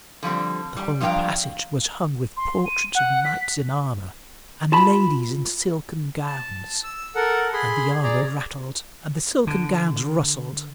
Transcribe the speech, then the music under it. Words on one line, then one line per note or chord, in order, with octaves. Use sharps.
The whole passage was hung with portraits of knights in armor, and ladies in silken gowns; and the armor rattled, and the silken gowns rustled!
D3 F3 G3 C4
G3
G2 F3 D4 F5 G5 A#5
C6
D#7
F#5
B6
F4 A5 B5
A5
E6
A4 A#4 F#5
G#4 B5 C6
G#4 D5 A#5
D3